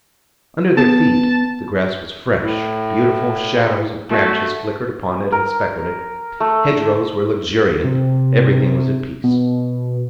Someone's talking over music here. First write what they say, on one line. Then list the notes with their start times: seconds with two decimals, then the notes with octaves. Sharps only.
Under their feet, the grass was fresh; beautiful shadows of branches flickered upon it, and speckled it; hedgerows were luxuriant; everything was at peace.
0.77 B3 A5
2.39 A2
4.09 A3 F#4
5.32 A#4
6.40 A3
7.84 C3
9.24 B2